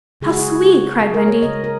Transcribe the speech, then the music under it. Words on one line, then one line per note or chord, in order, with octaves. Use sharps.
"How sweet!" cried Wendy.
C#3 G#3 F#4 G#4
G#4
G#4
A#4
C#5
C#3 G#3 D#5
A#4